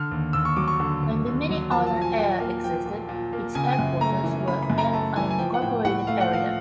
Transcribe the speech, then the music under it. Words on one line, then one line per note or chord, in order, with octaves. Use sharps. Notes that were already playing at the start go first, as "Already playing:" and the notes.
When Bimini Island Air existed, its headquarters were in an unincorporated area.
Already playing: D3 F6
D#2
D#2 E6
C#6
F#3 D6
C#6
D3
D#2
D#2
F#3
F3 A5
A5
A#2
G#5
A#2 G5
A#3
F3 G5
A#2
A#2
A#3
C#3 G#5
G5
G#5
F#2
A3 A#5
E3
C#3 B5
B5
F#2
A#5
A3 A5
E3 G#5
G#5
F3 G5
F#5
A2 G5
A2 F#5
A3 F5
F#5
F3 F5